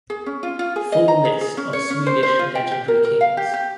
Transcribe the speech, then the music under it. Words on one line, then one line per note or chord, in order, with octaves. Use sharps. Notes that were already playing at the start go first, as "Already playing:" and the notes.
Full list of Swedish legendary kings.
G#4
C#4
F4
F4
G#4
D#5
A#5
G#4
G#4
C#4
C#5
C#4
C5
C5
F4
G5
G4
A#4
A#4
F5
G4
G4